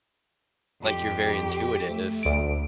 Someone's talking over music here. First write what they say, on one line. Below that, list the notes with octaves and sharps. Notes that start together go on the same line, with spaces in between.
like you're very intuitive
F2 G4
A3
D2 D7